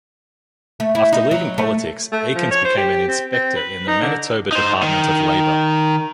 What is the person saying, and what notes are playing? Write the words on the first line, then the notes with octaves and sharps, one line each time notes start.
After leaving politics, Aikens became an inspector in the Manitoba Department of Labor.
A3
E4
D#4
F#3
A3
A3
F3
C#5
C5
G4
C4
C4
B4
D#4
D3
D#4 C5
D#3